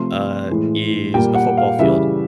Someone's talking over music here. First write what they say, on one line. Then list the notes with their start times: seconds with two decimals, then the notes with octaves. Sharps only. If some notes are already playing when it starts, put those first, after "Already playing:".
uh, is a football field.
Already playing: C3 F3 A3 C6
0.50 A2 E3 G#3
1.14 A#2 G3 A#3 G5
1.35 F#5
1.57 F5
1.79 C#3 E3 G3 E5